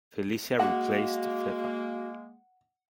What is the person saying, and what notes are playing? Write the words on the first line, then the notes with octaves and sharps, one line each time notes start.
Felicia replaced Fefa.
G#3 A#3 F#4 F#5